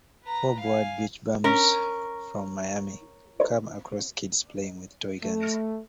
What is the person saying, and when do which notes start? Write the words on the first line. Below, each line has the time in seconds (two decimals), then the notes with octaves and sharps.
Four bored beach bums from Miami come across kids playing with toy guns.
0.24 B4 A#5
0.59 F5 G#5
1.44 C#4 A#4
5.23 A3